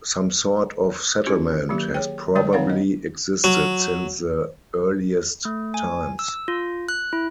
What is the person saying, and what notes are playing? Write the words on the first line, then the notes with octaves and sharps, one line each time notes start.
Some sort of settlement has probably existed since the earliest times.
C#4 E4 F#4 G4
D#3 F#3 A#3 G4
G#4 C#5 G5
D3 G3 G#3 C#5 D5 G5
D#3 C4 D#4 C#5 F5 F#5
D#5
F#3
A3
G#5
E6
F4
F#6
E4